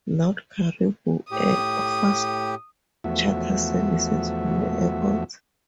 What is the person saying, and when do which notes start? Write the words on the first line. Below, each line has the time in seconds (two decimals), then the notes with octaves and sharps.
North Cariboo Air offers charter services from the airport.
1.31 A2 G4 D#6
3.04 E2 F3 A3 F#4 E5